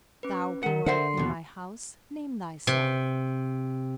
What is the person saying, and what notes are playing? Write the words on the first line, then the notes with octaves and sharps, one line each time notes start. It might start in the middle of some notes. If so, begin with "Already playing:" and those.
'Thou who art in my house, name thyself!
C#4 B4
D#3 A#4 F#5
D3 C5 E5 F#5 C6 C7 C#7
D#2 B2
C3